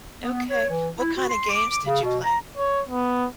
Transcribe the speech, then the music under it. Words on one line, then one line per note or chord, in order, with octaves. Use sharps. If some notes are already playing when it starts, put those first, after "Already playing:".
Okay. What kinda games did you play?
B3
C#5
E3
E4
F#4
C6
D6
C#3
B2
A#5
C#5
B3